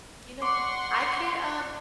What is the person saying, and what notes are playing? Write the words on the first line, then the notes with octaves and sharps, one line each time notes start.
You know, I could, um
D5 F#5 C6 C#6